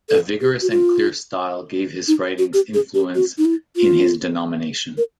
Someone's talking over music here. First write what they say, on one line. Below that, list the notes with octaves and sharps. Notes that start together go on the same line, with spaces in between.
A vigorous and clear style gave his writings influence in his denomination.
A4
G4
F#4
F4
D#4
F#4
G4
G#4
G4
F#4
D#4
E4
F4
A#4